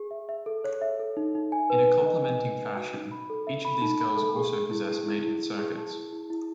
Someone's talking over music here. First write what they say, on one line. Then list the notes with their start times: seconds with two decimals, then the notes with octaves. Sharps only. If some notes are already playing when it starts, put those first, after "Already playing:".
In a complementing fashion, each of these girls also possess maiden circuits.
Already playing: G#4
0.11 E5
0.29 E5
0.46 A4
0.64 C#5
0.82 E5
0.99 A4
1.17 D#4
1.35 D#4
1.52 G#5
1.70 B4
1.88 B4
2.06 D#5
2.24 G#5
2.41 B4
2.59 B4
2.76 F#4
2.93 D#4
3.11 B5
3.30 A4
3.47 E5
3.65 B5
3.82 D#4
4.00 B5
4.17 A4
4.36 G#4
4.53 G#4
4.71 E4
4.88 G#4
5.06 E4
5.24 E4
5.42 E4
5.59 G#4
5.77 A5
5.94 E4
6.13 E4
6.30 E4